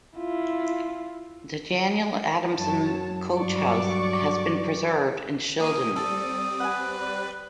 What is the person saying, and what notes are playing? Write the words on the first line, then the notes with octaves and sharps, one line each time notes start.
The Daniel Adamson Coach House has been preserved in Shildon.
E4 F4
F#2 F#3 C#5 A5
G2 F#3 D5 C#6 D6
A#3 D4 G#4 A#4 D#6
G3 C4 A4 D5
B4 F#5 G#5